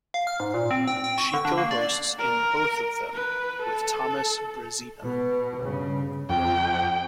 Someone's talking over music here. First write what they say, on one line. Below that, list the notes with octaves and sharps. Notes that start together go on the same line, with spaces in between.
She co-hosts in both of them with Thomas Brezina.
F5
F6
G#2
A#2
C4
G5
G5
C#6
D3
D4
A#3
D5
A#4
B4
A4
B2
G2 C#3
F2 G5